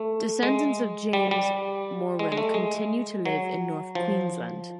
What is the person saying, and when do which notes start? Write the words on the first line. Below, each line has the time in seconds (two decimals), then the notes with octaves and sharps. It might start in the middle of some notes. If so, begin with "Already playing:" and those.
Descendants of James Morrill continue to live in North Queensland.
Already playing: A3
0.43 G#3
1.13 G3
1.31 G3
2.19 G#3
2.32 G#3
2.37 A3
2.54 G#3
3.26 F#3
3.95 F3